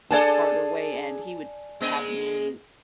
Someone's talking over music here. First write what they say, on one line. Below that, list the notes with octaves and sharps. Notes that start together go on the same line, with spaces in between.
the harder way, and he would have me,
D4 G#4 A4 D5 G#5 A5
G#3 A#3 D#5